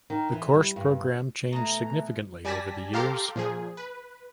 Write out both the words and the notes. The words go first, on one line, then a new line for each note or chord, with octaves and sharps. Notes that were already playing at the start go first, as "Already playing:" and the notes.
The course programme changed significantly over the years.
D#3
E3
G3
G2
B2 E3 A3 A#5
G3 D5 G#5 A5 A#6 B6
G4 A4 F5 A#5 C6 D6
A#2 F3 G#4
B4